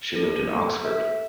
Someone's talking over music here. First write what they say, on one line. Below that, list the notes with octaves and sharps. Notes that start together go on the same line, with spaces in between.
She lived in Oxford.
A4
A4
E5